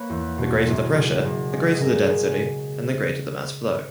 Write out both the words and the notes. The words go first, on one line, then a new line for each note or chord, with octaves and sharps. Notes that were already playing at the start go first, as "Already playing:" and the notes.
The greater the pressure, the greater the density, and the greater the mass flow.
Already playing: A#3 B4 C#5
E2
B2
F#1
C#3
F#1
G#3
G#4
C#3 A#4
C#3 G#4